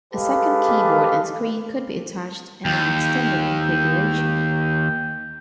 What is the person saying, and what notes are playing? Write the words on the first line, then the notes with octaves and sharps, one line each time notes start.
A second keyboard and screen could be attached in an extended configuration.
G#3 G4 A4 B4 F5
D#2 G5